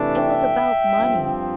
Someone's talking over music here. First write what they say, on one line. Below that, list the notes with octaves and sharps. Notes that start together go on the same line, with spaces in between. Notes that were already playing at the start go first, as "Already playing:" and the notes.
'It was about money.
Already playing: C3 E3 A3 D4
E5 G5
G2 F3 C4